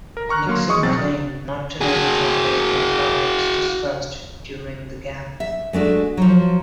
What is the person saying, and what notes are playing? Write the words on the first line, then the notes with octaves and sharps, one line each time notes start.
Nixon claimed not to know the topic or topics discussed during the gap.
A#4
A#5 C#6 F6 F#6
F#3 A#3 C6
G#4 D#5 C#6 D#6
B1 F#3 C4 A6
F#4 G#4
E5
G#3 A3 D4 F#4
F3 F#3